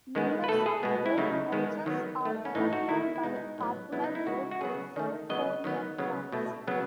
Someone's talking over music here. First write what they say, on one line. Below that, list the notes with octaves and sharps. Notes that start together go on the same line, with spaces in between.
Members of both houses are elected by popular vote to serve four-year terms.
D#3 G#3 B3
B4
B2 A3 A4
G#4
B2 G#3 B3
E4
C#3 F#3 A3 D#4
D#3 G#3 B3
D#3 F#3 B3
D#3 A3
C#4
A2 E3 A3 D#4
F#4
D#3 A3 E4
E4
B2 G#3 B3 D#4
A2 F#3 B3
C#3 F#3 B3 E4
D#4
E4
C#3 E3 G#3 F#4
F#4
C#3 F#3 B3 G#4
D#3 A3
C#3 F#3 B3 D#5
D#3 F#3 B3
C#3 F#3 B3
B2 A3
C#3 F#3 B3